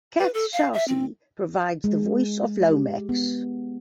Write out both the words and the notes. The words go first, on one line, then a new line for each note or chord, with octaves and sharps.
Kath Soucie provides the voice of Lomax.
B4
A4
F5
E5
C4
G#3
G4
B3